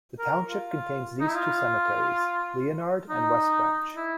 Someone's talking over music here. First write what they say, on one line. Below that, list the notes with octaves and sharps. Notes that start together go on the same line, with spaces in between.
The township contains these two cemeteries: Leonard and West Branch.
A#4
F4
D#4
E4
F4
D#4
E4